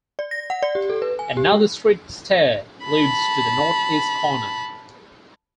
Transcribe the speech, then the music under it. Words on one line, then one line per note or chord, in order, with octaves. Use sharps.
Another street stair leads to the northeast corner.
D5
A#6
F#5
D5
G4
A4
B4
G#5
G4
G#3
A5 B5